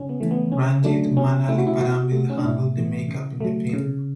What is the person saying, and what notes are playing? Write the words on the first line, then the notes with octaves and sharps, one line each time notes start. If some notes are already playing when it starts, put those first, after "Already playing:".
Ranjit Manaliparambil handled the makeup in the film.
Already playing: C#3 C#4
B3
E3 A3
B3
C#3 C#4
F#3 A3 D4
B2 C#4
A3 E4
F#4
E4
B2 F#4
A3
C#4
D4
A2 E4
E3 A3
C#3
F#3 A3
C#3